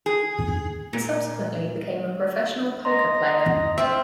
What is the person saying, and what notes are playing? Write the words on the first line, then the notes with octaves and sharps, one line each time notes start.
He subsequently became a professional poker player.
G#4
A#2
D#5 A#5 C6
C4 F4 E5